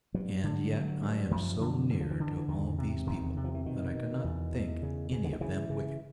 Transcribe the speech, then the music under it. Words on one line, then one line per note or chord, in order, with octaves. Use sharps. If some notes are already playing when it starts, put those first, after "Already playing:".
And yet I am so near to all these people that I cannot think any of them wicked.
G2 F#3
D3
G2 F#3
G2
F#2 F3
D3
D3 E3
F3
E3
D3
E3
E2 D#3
C3
E2 D#3
C3
F3
E3
B2 D#3
B2
E2
E2
C#3
C#3
D3
D#3
C#3 E3
C#3